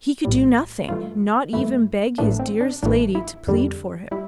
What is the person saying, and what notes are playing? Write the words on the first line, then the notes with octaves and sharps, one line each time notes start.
He could do nothing--not even beg his dearest lady to plead for him.
A#1 A2 G3
G2 E3 A3 F4
G2 E3 A3 E4
A1 A2 E3 A3 D4
C4
D4
A1 A2 E3 A3 D4
E4
F2 D3 G3
G3 E4